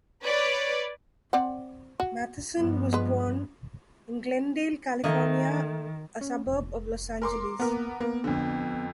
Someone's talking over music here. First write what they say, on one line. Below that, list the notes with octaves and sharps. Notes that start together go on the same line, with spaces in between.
Matheson was born in Glendale, California, a suburb of Los Angeles.
B4 C#5 D5
C4 D5 F#5
F#4
G2 F3 B3
G#3 B4
D#3 A3 A#3 D#5
C#4
F1
A#4 C6 D6
A#3 B3 A#4
A#3 B3
F2 D3